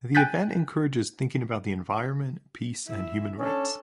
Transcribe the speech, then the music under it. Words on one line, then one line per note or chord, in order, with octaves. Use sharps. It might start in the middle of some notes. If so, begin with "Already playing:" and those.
The event encourages thinking about the environment, peace and human rights.
G5 G#5 F#6 G6 A6 B6
E4 E5
C#4 D4 A4